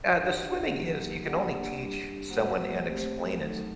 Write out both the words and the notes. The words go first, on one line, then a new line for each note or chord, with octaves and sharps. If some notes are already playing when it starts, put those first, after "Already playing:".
Ah the swimming is you can only teach someone and explain it
D4 G4 D5 F#5
F#3 A#3 D#4 G4 A#4
A#3 D4 G4 D5 F#5
G3 D4 G4
G3 A#3 F#4 C5 F#5
A3 C4 G4 C5
F#3 A3 D#4 A4